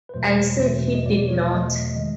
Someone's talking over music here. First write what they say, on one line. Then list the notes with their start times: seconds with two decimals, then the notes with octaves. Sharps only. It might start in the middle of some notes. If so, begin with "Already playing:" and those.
I said he did not.
0.09 B4
0.14 E2 B2 F#3 A3 C5
0.60 E2 B2 F#3 A3
0.95 D#5
1.05 E2 B2 F#3 A3 D5
1.17 D5
1.28 C#5
1.39 C5
1.51 E2 B2 F#3 A3 D#5
1.96 D#3 G#3 D#5